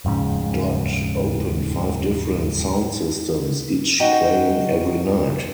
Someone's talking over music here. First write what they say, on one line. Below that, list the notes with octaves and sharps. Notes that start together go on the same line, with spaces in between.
Dodd opened five different sound systems, each playing every night.
D#1 F2 G#2 C#3
D#4 F#4 G5